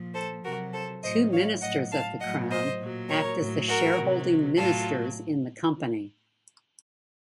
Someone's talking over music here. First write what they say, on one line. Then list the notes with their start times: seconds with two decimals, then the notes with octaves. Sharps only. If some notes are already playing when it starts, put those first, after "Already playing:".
Two Ministers of the Crown act as the shareholding ministers in the company.
Already playing: A#2 F3
0.14 A4 C5
0.44 C3 F#3 F#4 A#4
0.74 A4 C5
1.03 A2 F#3 C5 D#5
1.33 C#5 F5
1.62 A2 F#3 D#5 F#5
1.92 F5 A5
2.21 A2 F#3 D#5 F#5
2.51 C5 D#5
2.80 A#2 F#3
3.09 A#4 C#5
3.39 A2 F#3
3.69 F#4 A#4
3.98 C3 F#3
4.57 A2 F#3 F4 A4